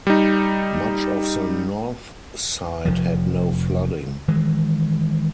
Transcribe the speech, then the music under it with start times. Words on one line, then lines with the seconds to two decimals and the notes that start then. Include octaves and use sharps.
Much of the north side had no flooding.
0.07 G3 D#4
2.85 F1 F3
4.28 D#3 E3 G#3